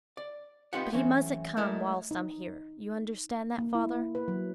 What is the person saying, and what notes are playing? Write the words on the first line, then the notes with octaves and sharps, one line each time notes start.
But he mustn't come whilst I'm here; you understand that, father?'
D5
B3 C4 D#4 F4 G4 F#5
E3 F#3 A3 C4 C#4
G#3 A3 E4 A#4 D5 D#5
D#4
A#3
E4
B4
F#3